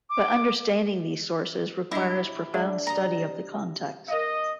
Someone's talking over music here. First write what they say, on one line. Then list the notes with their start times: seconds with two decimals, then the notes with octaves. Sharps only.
But understanding these sources requires profound study of the context.
0.10 D6
1.91 B2 G3 D4 E4 G4 A#4 D#5
2.54 G#3 D4 G#4 E5 B5
2.87 C3 G3 D#5 A#5
4.08 A#4 D#5 F5